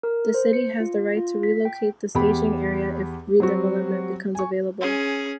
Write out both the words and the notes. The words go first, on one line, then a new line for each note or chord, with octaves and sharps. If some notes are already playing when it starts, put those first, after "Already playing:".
The city has the right to relocate the staging area if redevelopment becomes available.
A#4
C5
C#7
F4
F4
B6
G5
E2 G4 B5
F#3 G3 C4 F#4
G#5 C#6
C#4 G#4